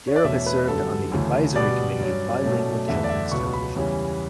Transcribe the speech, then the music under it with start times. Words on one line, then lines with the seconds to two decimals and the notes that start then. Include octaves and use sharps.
Darrow has served on the "Advisory Committee of Bilingual Children's Television".
0.07 C#5
0.16 D5
0.24 E2 B2 A3 C#4 E5
0.46 B4
0.68 F#2 D3 G3 B3 A4
1.12 D2 C#3 E3 A3
1.56 B2 G3 B3 D5
1.99 G2 F#3 C#4
2.43 B2 F#3 A3 C#4
2.87 E2 D3 A3 E5
3.04 D5
3.09 E5
3.31 C#2 B2 F#3 B3 C#6
3.53 B5
3.76 E2 C#3 E3 G3 C#4